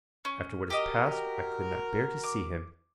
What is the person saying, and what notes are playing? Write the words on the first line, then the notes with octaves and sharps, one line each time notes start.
After what has passed, I could not bear to see him.
C#4
F#4 G4 A#4 D#5
D6